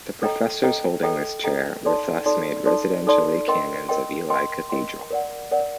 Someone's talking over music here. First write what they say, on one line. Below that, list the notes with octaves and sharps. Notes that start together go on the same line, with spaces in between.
The professors holding this chair were thus made residentiary canons of Ely Cathedral.
A4 D#5 G5 A#5
A4 D#5 G5 A#5
A4 D#5 G5 A#5
A4 D#5 G5 A#5
D#4 A4 D5 A5 C6
D#4 A4 D5 A5 C6
D#4 A4 D5 A5 C6
D#4 A4 D5 A5 C6
A#4 D#5 G5 C6
A#4 D#5 G5 C6
A#4 D#5 G5 C6
A#4 D#5 G5 C6
A#4 D5 F#5
A#4 D5 F#5